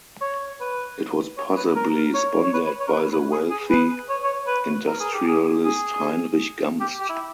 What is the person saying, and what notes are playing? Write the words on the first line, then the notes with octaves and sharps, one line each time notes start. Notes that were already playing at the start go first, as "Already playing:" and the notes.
It was possibly sponsored by the wealthy industrialist Heinrich Gamst.
C#5
B4
C#5
B4
A#4
C#5
C#5
B4
B4
C#5
A#4
B4
B4
G#4
G#4
B4
C#5
C#5
B4
A#4
G#4
G4
G#4
G#4
G4
G4
E4